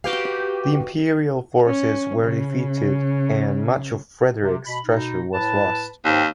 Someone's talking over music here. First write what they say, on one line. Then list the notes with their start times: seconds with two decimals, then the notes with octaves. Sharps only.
The Imperial forces were defeated and much of Frederick's treasure was lost.
0.04 F#4 G4 B4 F5
1.67 C#4
2.22 C#3
4.41 C3
4.66 B2 B5
4.85 B2 D#4
5.32 A2 B4 A5
6.05 D#2 G#2 C4